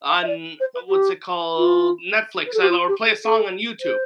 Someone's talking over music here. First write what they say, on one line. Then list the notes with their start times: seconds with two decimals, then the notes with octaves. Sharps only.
on what's it called, Netflix, or play a song on YouTube.
0.09 F5
0.22 E5
0.27 D5
0.60 C5
0.74 B4
0.89 G4
1.57 F4
2.47 B4
2.54 A4
2.61 G4
2.69 F4
2.88 G4
3.06 A4
3.25 A4
3.81 C5